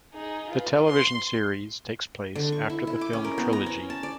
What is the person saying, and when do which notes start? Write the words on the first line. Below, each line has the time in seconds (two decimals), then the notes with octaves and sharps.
The television series takes place after the film trilogy.
0.14 D#4 G#4
0.50 F4 B4
0.86 C6
2.35 D3
2.52 C#6
2.70 E4
2.87 E4
3.01 D6
3.13 C#4
3.24 A#4
3.38 B3
3.53 A#5
3.66 C#4
3.90 A5
4.03 D5